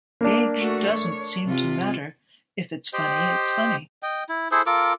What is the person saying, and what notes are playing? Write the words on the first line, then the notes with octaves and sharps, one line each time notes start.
Age doesn't seem to matter - if it's funny, it's funny.
A#3 D4
A3 F#4
C#5
C3 F4
G4 C5 D#5 G5
D#5 G5
E4
E4 G#4 A4 C5
F4 A4 A#4 D6